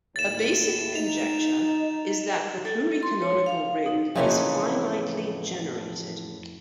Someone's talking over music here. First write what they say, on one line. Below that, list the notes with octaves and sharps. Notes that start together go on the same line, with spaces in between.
A basic conjecture is that the pluricanonical ring is finitely generated.
D#2 A2 A6 E7
D#4 F7
A4
C6
C#5
F5
D#4
F2 A2 C#3 E3 A#3 C#4